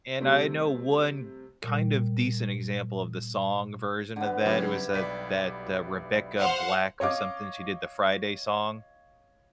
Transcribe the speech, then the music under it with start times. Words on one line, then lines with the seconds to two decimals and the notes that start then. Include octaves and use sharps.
and I know one kind of decent example of the song version of that was, uh, that, uh, Rebecca Black or something, she did the, "Friday" song.
0.20 C3 G3 A3 C4
1.63 A#2 G3
4.16 D3 B3
4.46 C#3 F#3 G3 E4
4.94 B1 D5 B6
6.38 C5 F5 F#5
7.00 C#5 D#5 F5 D6